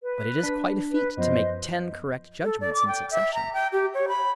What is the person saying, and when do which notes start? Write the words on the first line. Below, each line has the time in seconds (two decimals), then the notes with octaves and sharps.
But it is quite a feat to make ten correct judgments in succession.
0.03 B4
0.43 D4 B6
0.90 B4
1.17 F#2 F3 B3 C5 D#5
2.43 A4
2.61 D5
2.73 D6
2.88 G5
3.11 E5
3.34 A#5
3.54 G5
3.72 G4
3.94 C#5
4.08 B5